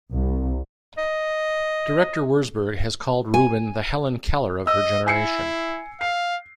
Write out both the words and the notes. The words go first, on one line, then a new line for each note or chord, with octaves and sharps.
Director Wurzburg has called Rubin the Helen Keller of her generation.
C2
D#5
G#5
D#5 E6
E4 G#5 C7 C#7
F5 C7